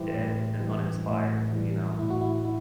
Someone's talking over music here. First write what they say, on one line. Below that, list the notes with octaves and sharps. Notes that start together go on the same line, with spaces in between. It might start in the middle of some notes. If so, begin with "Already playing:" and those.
dead and uninspired, you know?
Already playing: A2 E3 G3 E4 G4 B4 C5
A2
E3 G3
A2
E3 G3
A2 E4
F#4
E4
E4